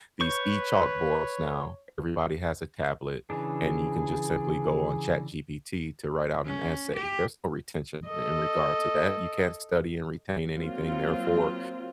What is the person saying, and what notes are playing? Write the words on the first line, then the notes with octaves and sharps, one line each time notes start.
these e-chalkboards now. Everybody has a tablet, and you can just simply go on ChatGPT to write out an essay. There's no retention in regard to that. You can't study and retain anything. Therefore,
B4 C#5 C#6 G6
C#3 E3 D4 G#4
C#4
G4
A4 D#5
F#3 A#3 C4 F4